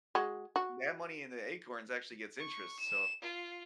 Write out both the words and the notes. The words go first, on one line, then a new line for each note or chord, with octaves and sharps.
that money in the acorns actually gets interest, so
G#3 F#4
F#4
C#6
E7
F4